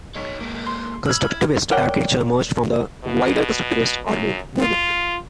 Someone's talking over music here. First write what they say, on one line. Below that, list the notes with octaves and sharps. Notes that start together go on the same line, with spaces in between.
Constructivist architecture emerged from the wider constructivist art movement.
B1 D#4 C#5
G#3 A#3
C6
B5 E6 F6 G#6
E4
A#4 C#5 D5 F#5 G5
B2
F#2
F4